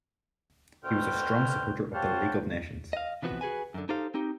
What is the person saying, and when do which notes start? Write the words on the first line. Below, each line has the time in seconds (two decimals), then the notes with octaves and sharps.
He was a strong supporter of the League of Nations.
0.84 D2 B2 C5 G5 F6
1.93 G4 C5 C#5 F5 F#5 A5
2.93 D#5 F5
3.22 C3 E3 F3 B3 F#4 B4
3.41 F#4 G#4 B4 G#5
3.74 F#2 D3
3.89 D#4 G4 A4 C5 F5
4.14 C4 D#4 G4